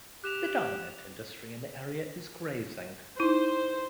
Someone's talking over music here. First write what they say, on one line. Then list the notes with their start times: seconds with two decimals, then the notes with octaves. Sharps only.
The dominant industry in the area is grazing.
0.24 G4 F#6 E7 F7
3.20 D#4 E4 C5